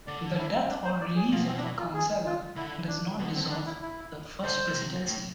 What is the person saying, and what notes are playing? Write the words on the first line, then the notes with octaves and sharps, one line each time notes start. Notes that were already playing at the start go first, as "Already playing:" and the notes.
The death or release of a counselor does not dissolve the First Presidency.
D3 D5
E4
D4
C5
D5
G#4
B2 F4
C4
D4
E4
F4
G#4
F4
D3 E4
D4
D3 B3
C4
D4
E4
E4
D3 C5
C3
A2